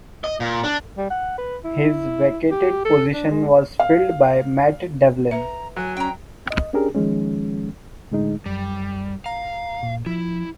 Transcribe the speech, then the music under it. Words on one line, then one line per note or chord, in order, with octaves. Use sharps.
His vacated position was filled by Matt Devlin.
D#5
A#2
D4
G3
F#5
B4
E4
G4
A4
D4
G#3
F5
B4 E5 A#5
F#3 G#5
C#4 G5 A#5
D#5
C#4 D4 G4 G#4 A#4
D#3 F3 G#3 C#4
A2 D3 G#3 D#4
F#2 G3
F5 A#5
A#2
F3 E4